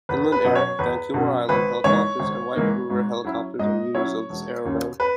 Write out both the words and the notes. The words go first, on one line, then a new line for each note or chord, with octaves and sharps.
Inland Air, Vancouver Island Helicopters and White River Helicopters are users of this aerodrome.
E2 B4
B4
B2 F#3 C#4 D#5
C#5
E2 B4
B2 F#3 C#4
G#1 B4
G#2 E3 A#3 D#4 C#5
G#1
G#2 E3 A#3 D#4
G#2
F#3 C#4 E4
G#2 D#5
F#3 C#4 E4 C#5
E1
D#2 C#3
B4